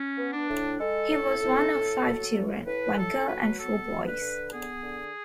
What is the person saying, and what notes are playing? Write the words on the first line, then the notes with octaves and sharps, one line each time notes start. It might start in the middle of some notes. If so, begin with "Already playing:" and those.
He was one of five children, one girl and four boys.
Already playing: C#4
B3
D4
A2
G#3 A4
A2
A2
A2
F#3
A2
A2 B4
A2 A4
F#3 B4
B3 A4
D3
B4
D3
B3 G#4
D3